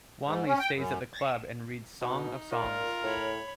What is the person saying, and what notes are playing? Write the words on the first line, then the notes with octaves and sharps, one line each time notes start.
Wanley stays at the club and reads Song of Songs.
G#2
C#4
G5
F#2
B2 D#4
A#2 F4 A#4
A2 C#5 B5